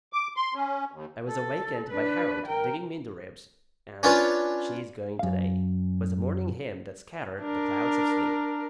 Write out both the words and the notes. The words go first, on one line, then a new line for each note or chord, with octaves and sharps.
I was awakened by Harold digging me in the ribs, and "She's going to-day!" was the morning hymn that scattered the clouds of sleep.
D6
C6
C#4
D#2
A4
D4 B4
A#4 G5
C#4 D4 F4 B4 C#5
F#2 F5
D4 A#4